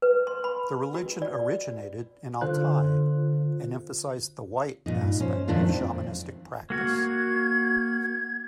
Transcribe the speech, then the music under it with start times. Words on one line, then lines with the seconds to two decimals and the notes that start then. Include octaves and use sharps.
The religion originated in Altai, and emphasized the "white" aspect of shamanistic practice.
0.02 B4
0.27 C6
0.44 B5
0.94 F#4
1.22 D5
2.41 D3 F4 C5 F#6
4.86 G2 A#2 D#4
5.20 C#4 C5
5.48 F2 A#2 D#3 D4 E4 F4
5.69 C4
6.70 A#3 F#4 G#6